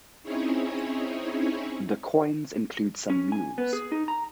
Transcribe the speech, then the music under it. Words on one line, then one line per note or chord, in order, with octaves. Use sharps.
The coins include some mules.
C4 C#4 D#4 E4 G#4 C#5
C#4
G#5
B3
G#4
D#4
A#5